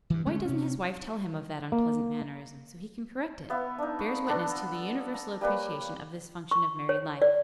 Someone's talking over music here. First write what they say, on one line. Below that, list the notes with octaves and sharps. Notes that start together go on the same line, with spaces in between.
"Why doesn't his wife tell him of that unpleasant mannerism, so he can correct it?" bears witness to the universal appreciation of this function of married life.
G2 E3
D3 G#3 A3 C#4
C3 C#4
A#3
B3 E5 F5
D4 D#4
B5 C#6
B3 D4 A4 A#5
A#5
G3 A#3 B4 C#5
C#6
C#5
D5